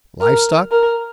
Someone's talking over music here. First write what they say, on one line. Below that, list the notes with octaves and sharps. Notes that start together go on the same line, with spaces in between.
"Live stock?"
A#4
A#4